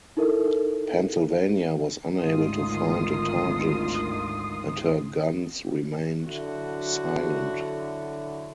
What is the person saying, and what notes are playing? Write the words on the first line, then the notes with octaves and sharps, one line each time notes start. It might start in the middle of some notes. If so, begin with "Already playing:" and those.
"Pennsylvania" was unable to find a target and her guns remained silent.
D#4 E4 A4 A#4 E5
G#1 D2 D#3 F4 D#6 C7
D3 F#3 E4 F#4